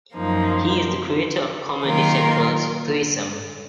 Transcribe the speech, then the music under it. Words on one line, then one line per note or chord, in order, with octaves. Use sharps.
He is the creator of Comedy Central's "Threesome".
F#2 F3 A#3 D#4
D#3 F#3 A#3 F4 A#4